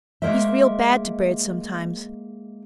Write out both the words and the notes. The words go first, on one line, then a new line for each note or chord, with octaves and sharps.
He's real bad to birds sometimes.
G#3 A#3 A#4 C5 D#5 E5